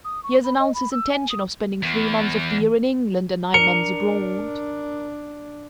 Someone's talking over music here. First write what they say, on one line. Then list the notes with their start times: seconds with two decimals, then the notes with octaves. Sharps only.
He has announced his intention of spending three months of the year in England and nine months abroad.
0.05 D#6
0.23 C#6
0.44 B5
0.60 D#5
0.74 B5
0.92 E6
1.12 G#5
1.30 D#6
1.83 E2
3.54 D4 A#4 C#7